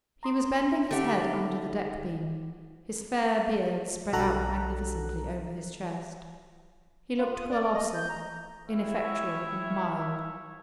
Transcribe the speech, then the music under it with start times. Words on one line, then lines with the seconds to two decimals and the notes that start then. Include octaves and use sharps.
He was bending his head under the deck beam; his fair beard spread out magnificently over his chest; he looked colossal, ineffectual, and mild.
0.23 A#5 C6 D#6
0.91 D3 A3 D#4 G4 F#5
4.13 B1 D3 F#4 A4 A#5 F#6
7.18 F4
7.35 D#6
7.50 D5
7.74 D#5
7.94 G6
8.09 A#5
8.69 E4 C#5 E5 F5 G5